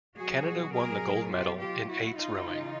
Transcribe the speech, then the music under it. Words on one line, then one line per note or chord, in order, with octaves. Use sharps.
Canada won the gold medal in eights rowing.
B2 F#3 F#4 G#4
G#4 A#4
F4 G4
F4 G4
E4 F#4
D#4 F4
C#3 E3